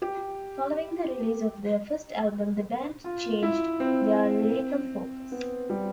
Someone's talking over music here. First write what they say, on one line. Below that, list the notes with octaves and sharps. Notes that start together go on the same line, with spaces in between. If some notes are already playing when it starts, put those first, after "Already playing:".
Following the release of their first album the band changed their lyrical focus.
G4
F4
E4
C4
B3
G3